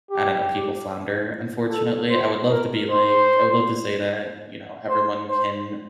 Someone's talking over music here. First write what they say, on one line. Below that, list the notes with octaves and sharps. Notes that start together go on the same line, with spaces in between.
I don't know, people flounder, unfortunately- I would love to be like I would love to say that, you know, everyone can
G4
A4
C5
A#4
C5
C5
C5